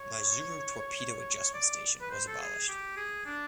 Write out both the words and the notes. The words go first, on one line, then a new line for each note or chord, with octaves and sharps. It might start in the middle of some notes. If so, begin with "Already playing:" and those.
Maizuru torpedo adjustment station was abolished.
Already playing: C#5
D5
B4
C5
A4
G#4
G4
G#4
D4